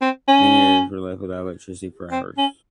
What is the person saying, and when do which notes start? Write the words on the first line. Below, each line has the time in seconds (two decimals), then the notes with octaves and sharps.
Many areas were left without electricity for hours.
0.02 C4
0.28 C#4
2.11 C4
2.38 C#4